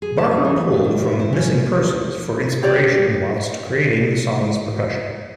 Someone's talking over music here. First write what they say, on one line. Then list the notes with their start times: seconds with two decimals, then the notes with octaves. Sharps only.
Barker pulled from Missing Persons for inspiration whilst creating the song's percussion.
0.02 G#4
0.18 A5
0.31 A3
0.45 E3
0.71 A#2
0.84 D#3
1.04 E5
1.19 E4
1.33 C#4
2.63 G4 C#5 D5